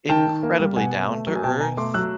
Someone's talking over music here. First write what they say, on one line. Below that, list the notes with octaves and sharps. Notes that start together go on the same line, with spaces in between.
incredibly down-to-earth,
D#3 G5 A5
D#3
A#3
G3
B2 F#5 G#5
B2
A3
F#3
G#5
B2 G5 A5
B2 G#5 A#5
A3 C6 D6
F#3 E6 F#6